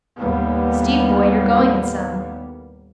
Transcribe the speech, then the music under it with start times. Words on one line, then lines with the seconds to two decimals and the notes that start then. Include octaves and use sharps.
Steve boy, you're going it some.
0.16 D#2 A2 G3 A#3 B3